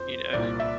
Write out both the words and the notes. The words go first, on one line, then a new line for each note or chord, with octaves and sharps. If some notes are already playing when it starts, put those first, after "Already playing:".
you know?
Already playing: F2 C5
C2 A#2 D5
E5